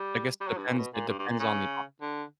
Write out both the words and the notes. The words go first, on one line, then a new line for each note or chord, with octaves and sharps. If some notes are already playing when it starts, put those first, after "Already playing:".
I guess it depends it depends on the, uh
Already playing: G3
G3
F#3
G2
A#2
B2
A#2
G2
G2
A#2
C#3
D3